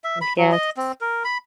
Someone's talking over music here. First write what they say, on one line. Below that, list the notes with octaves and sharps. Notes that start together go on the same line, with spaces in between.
Mm, yes.
E5
B5
F#3
D#5
C4
A#4
B5